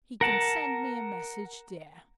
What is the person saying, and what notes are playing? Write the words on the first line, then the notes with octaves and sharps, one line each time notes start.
He can send me a message there.
A#4 F#5 A5